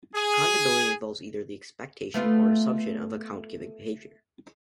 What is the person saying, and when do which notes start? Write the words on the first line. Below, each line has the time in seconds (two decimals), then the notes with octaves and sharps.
Accountability involves either the expectation or assumption of account-giving behavior.
0.15 G#4
2.14 A3 B3 F4